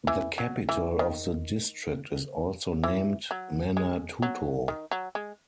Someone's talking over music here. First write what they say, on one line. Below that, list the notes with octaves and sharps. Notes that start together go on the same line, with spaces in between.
The capital of the district is also named Manatuto.
E3
F#3
E3
D#3
E3
F#3
G#3
F#3
D#3
F#3
G#3